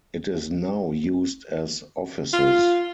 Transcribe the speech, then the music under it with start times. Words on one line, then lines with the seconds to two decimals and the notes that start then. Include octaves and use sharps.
It is now used as offices.
2.33 F4